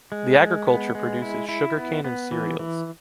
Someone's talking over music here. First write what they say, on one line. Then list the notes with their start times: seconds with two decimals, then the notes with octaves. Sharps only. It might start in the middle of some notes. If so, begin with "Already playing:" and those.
The agriculture produces sugar cane and cereals.
0.12 G#3
0.40 G#3
0.67 B3
0.95 G#3
1.22 E4
1.49 E4
1.77 B3
2.04 B3
2.32 E3
2.59 E3